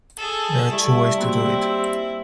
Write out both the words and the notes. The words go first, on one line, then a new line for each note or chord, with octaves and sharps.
There are two ways to do it.
G#4 A4
G3 A3 E4
A#3 C4 F#4